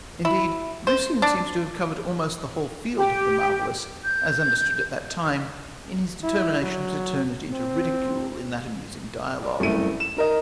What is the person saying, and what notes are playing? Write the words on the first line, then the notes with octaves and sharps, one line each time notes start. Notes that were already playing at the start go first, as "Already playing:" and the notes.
Indeed, Lucian seems to have covered almost the whole field of the marvellous, as understood at that time, in his determination to turn it into ridicule in that amusing dialogue.
E4
C5
D4
G4
G6
E4
F#3
C4
D5
F#1 C2 A3 E4 D#7
E7
D#4 A#4 D#5